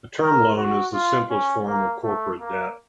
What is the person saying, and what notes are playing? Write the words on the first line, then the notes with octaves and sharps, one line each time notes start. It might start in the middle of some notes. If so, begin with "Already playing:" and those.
A term loan is the simplest form of corporate debt.
A#4
F#4
F4
C#4
A#3
A3
A#3